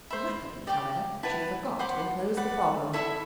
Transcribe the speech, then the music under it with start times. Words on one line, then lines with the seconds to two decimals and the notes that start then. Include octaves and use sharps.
Luckily, however, she forgot to enclose the problem.
0.10 C5 E5 B5
0.67 G4 D5 G5 D6
1.23 E4 B4 F#5 A5
1.79 C5 F#5 B5 D6
2.37 B4 D5 F#5
2.93 E4 A4 E5 B5